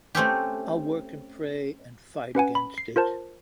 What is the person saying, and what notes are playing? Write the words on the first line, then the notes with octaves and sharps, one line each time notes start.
I'll work and pray and fight against it.
A3 C4 C#4 G4
C#4 B4 F#5 G#5
B5
C7
F4 A#4 C5 A5